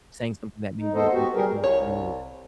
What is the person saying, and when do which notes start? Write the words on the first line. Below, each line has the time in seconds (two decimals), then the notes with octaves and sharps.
saying something that may be a little bit more rude
0.79 D#4
0.94 D#2 B3 A4 C5 D#5
1.13 B3 F#4 G4
1.35 G3 G4 G#4 A#4
1.64 C2 C#5